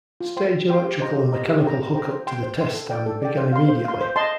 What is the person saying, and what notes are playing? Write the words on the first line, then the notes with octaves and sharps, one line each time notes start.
Stage electrical and mechanical hook-up to the test stand began immediately.
F4
C5 G5 C6
F4
C5 G5 C6
G4
C5 D#5 A#5
G4
C5 D#5 A#5
G4
C5 G5 A#5
G4
C5 G5 A#5
C5
G5 C6
C5
G5 C6
A4
D5 G5
A4
D5 G5
C5
F5 C6
C5
F5 C6
C5
D#5 A5 C6